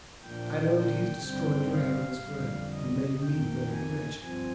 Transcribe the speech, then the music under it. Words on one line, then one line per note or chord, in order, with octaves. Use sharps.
"I know that he has destroyed your happiness for ever, and made me very wretched."
A#2 F3 A#3 D4 G5
G5
G2 D3 G3 C4 G5
F5
F2 D3 G3
D#5
F2 D#3 A#3 G5
G#5
G2 F3 C4 G#5